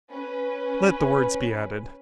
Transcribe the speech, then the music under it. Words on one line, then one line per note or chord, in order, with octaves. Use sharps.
Let the words be added.
C#4 B4